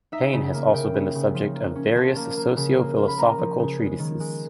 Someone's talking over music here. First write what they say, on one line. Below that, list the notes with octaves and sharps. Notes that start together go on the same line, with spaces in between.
Pain has also been the subject of various socio-philosophical treatises.
D#4 E5
C#3
A#3
C#3 G5
C#3
C#3
F3
A#3
C#4
F3 A5
A#3
A#3
C#3
A#3
A#3
B5
A#3 A#5
F3
C#3
G#3
D#3
G#3